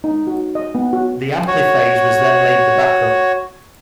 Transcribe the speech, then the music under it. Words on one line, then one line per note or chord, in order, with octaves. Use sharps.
The Ampliphase was then made the back-up.
D#4
F#4
D#5
B3
F#4
F#4 C#5